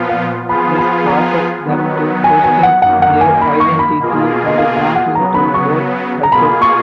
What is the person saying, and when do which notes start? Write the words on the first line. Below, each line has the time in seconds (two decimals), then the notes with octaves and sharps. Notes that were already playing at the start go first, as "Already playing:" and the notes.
This causes them to question their identity and belonging to both cultures.
Already playing: A#2 F3 B3 F4
0.09 F5
0.49 F3 B3 F4 G#4 B5
0.78 B5
1.07 A#5
1.66 D#3 F#3 B3
2.24 G#5
2.44 G#5
2.63 F#5
2.82 F#2 D#3 A#3 F#5
3.02 F#5
3.21 G#5
3.41 B5
3.60 C#6
3.79 B5
3.99 B2 A#3 F4 G#4
4.46 D#5
4.58 F5
4.77 F5
4.96 F#5
5.15 C#3 F#3 B3 A#5
5.34 B5
5.54 C#6
6.23 A#5
6.32 B2 A#3 F4 G#4 B5
6.62 C#6